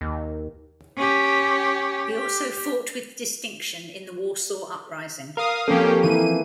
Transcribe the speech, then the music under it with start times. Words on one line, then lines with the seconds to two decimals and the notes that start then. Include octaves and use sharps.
He also fought with distinction in the Warsaw Uprising.
0.01 D#2
0.97 C#4 G4
2.12 G4
5.37 A#4 F5 D#6
5.68 F3 A#3 C4 C#4 G4 A4
6.03 E3 A#3 E4 D#7